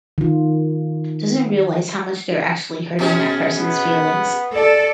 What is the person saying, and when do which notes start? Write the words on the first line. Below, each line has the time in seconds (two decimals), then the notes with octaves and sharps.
doesn't realize how much they're actually hurting that person's feelings.
0.18 D#3 F4
2.99 B2 C#4 G#4
3.57 B3
4.56 A4 D5